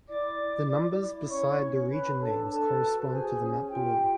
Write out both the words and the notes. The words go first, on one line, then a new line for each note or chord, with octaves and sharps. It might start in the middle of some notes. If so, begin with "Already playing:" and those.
The numbers beside the region names correspond to the map below.
E4 D5 D6
E4
E4
E4
C#4 C#5 C#6
C#4
B4 C#5 B5
D4 A4 A5
A4 B4 A5
F#4
G#4 C5 G#5
C#4
F4 G4 G5
F4